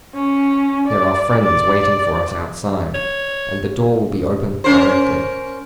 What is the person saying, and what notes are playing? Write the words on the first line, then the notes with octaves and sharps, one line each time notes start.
There are friends waiting for us outside, and the door will be open directly.
C#4
D5
D5
C#5
C#4 A#4 C5